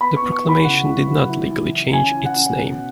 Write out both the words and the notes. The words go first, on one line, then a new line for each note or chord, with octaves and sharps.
The proclamation did not legally change its name.
B3 B5
C#6
B3
C#6
E4
B5
C#3 F#5
E4
F#3
E4
E3
E4
C#4 G#5
E4
F#5
C#4
B2